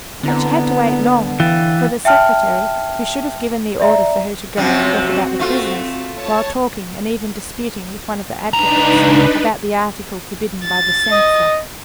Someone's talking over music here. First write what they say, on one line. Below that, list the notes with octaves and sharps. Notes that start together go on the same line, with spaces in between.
But she had to wait long, for the secretary, who should have given the order for her to go, forgot about the prisoners while talking and even disputing with one of the advocates about the article forbidden by the censor.
D3 B3 C4 E4 A#5
E3 F5 G5 A6
E5 G5 A5 F6
D5 E5 A#5
F#2 C3 F3 C4 F#4
A3 F4
C#5 A5
C#2 D4 D#4 B4 A#5
A6
D#5